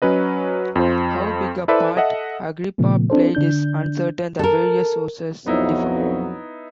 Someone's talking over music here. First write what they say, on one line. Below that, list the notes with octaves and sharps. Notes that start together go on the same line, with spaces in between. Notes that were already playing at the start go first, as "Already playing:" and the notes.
How big a part Agrippa played is uncertain; the various sources differ.
F#3 C#4 B4 D#5
F2 F4 C5
E4 A4 B4 C5 D5 E5
A4 D#5 E5 F#5
A#2 C#3 F3 A3 B3
C4 D4 A4 C5
D3 D4 G6
A4 A#4
B1 F2 F#3 B3 D#4 E4